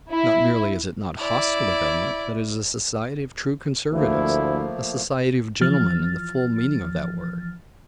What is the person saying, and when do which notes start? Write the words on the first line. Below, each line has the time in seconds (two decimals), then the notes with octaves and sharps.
Not merely is it not hostile to government, but it is a society of true conservatives--a society of gentlemen in the full meaning of that word.
0.12 E4
1.18 E4 D5
3.92 D2 F3 A3 A#3 E4
5.61 E3 F3 F6 A6